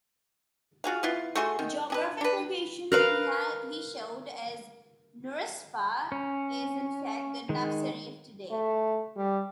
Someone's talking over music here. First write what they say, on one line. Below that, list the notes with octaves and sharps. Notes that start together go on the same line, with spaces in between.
The geographic location he showed as Narispa, is in fact the Navsari of today.
F4 F#4 G#4 F5
B3 E4 F4
A3 F#4 G#4 C6
D#3
D4 G#4 B4
D4 B4
A#4 B4 F5
C#4
D#3 G#3
A3
G3